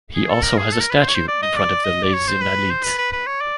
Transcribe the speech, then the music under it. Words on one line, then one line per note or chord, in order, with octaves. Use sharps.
He also has a statue in front of the Les Invalides.
G#4
A4
A#4
G#4
A4
A#4
B4
C5
C#5
C5
D5
D#5
D5
D#5
D5
C#5
C5
B4
C5
B4
B4
B4
C#5
D5